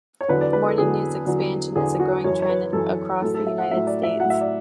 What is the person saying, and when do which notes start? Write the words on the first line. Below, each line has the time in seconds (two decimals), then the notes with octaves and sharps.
The morning news expansion is a growing trend across the United States.
0.21 C#5
0.28 E2 D3 F#3 B4
0.41 D5
0.53 B4
0.66 A4
0.78 E2 D3 F#3 G#4
1.26 E2 D3 F#3
1.76 E2 D3 F#3 G#4
2.00 F#4
2.24 F#2 E3 C#5
2.42 C#5
2.49 B4
2.73 F#2 E3 A4
3.22 A2 F#3 A4
3.34 A4
3.47 E5
3.58 F#5
3.71 A2 F#3 E5
3.87 D5
4.03 E5
4.20 A2 F#3 F#5
4.30 E5
4.41 D5